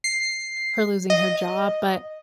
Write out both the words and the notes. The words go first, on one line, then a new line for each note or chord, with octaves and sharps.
her losing her job, but,
C7
D#5